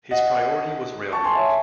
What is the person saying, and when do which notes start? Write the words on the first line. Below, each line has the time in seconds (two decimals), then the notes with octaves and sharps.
His priority was railroads.
0.11 D#5 F#5
1.12 A5 C#6
1.24 G#5 C6
1.35 C#5 E5